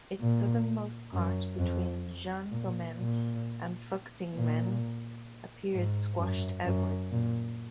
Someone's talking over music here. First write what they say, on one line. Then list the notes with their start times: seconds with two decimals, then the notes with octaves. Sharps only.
Its southernmost part between Jianguomen and Fuxingmen appears "squashed" outwards.
0.20 A#2
1.13 F#2
1.59 F2
2.51 A#2
2.97 A#2
4.35 A#2
5.73 G#2
6.19 F#2
6.65 F#2
7.11 A#2